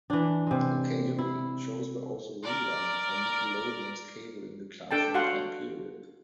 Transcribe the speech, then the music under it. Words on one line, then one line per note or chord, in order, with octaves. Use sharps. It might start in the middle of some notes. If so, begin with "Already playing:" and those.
Occasionally, shows were also rerun on Nickelodeon's Cable in the Classroom time period.
E3 D4
C3 G#3
E4
A#4 D5
D4 A4 G5 A5
F#4 F5 F#5 C6